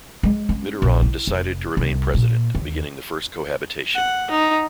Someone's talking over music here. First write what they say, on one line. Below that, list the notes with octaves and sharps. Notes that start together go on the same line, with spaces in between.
Mitterrand decided to remain president, beginning the first cohabitation.
G#3
C#4
A#1
E4
F1
C2
A#2
D#2
F#5
D#4